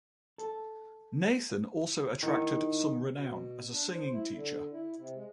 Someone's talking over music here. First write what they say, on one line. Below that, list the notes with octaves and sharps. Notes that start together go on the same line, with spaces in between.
Nathan also attracted some renown as a singing teacher.
A4
D#3 E4 F#5
B2
D4
C5
E4
D3
E4
C3
G#3